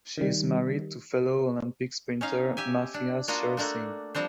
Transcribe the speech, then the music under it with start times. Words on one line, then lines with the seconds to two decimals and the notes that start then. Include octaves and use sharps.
She is married to fellow Olympic sprinter Mathias Schersing.
0.18 D#3 G3
2.21 C#4 D#4 F5
2.57 G4 E5 G#5
2.94 D4
3.28 A#3 D4 F4 F#4 D#5 F5
3.57 A3 A#3 D4 F#4
4.15 F3 G3 C4 D4 C5